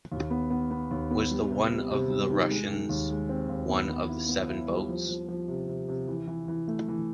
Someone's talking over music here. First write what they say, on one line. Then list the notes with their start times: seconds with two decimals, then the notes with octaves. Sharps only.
Was the one of the Russians one of the seven boats?
0.12 D#2
0.30 B3
0.50 B3
0.71 B3
0.91 D#2
1.11 B3
1.31 G3
1.51 C3
1.70 C3
1.91 C3
2.10 G3
2.30 D#3
2.50 G#3
2.70 D#3
2.89 D#2
3.10 G#3
3.29 C4
3.49 D#2
3.69 B3
3.90 B3
4.09 E4
4.28 B3
4.49 E4
4.68 G3
4.89 F3
5.08 F3
5.28 F3
5.48 C3
5.68 C3
5.89 C3
6.08 E3
6.28 E3
6.48 E3
6.68 A3
6.88 E3